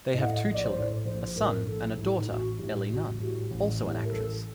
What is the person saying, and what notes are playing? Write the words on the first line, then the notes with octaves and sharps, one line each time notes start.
They have two children: a son and a daughter Ellie Nunn also an actress.
A2 A3 D#5
F#5
D#5
A#1 D#5
D5
C5
A2 A3 D5
A#1 C5
A2 A3 A#4
A#1 A4
A2 A3
D#4
A1 F#4
A2 G3
A1 F#4
A2 G3 F#4
A1
A2 G3
A#4
A1 A4